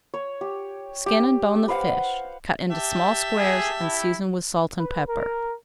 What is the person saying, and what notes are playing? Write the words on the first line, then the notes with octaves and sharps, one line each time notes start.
Skin and bone the fish, cut into small squares, and season with salt and pepper.
C#5
G4
G4
B4 C5 F5 F#5
G4 E5 A5
G#4
E4
B4
A#4